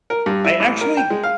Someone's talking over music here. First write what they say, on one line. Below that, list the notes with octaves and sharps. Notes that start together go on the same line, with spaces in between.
I actually
A#4
G2
E4
A1
A#4
G5
G#3
F5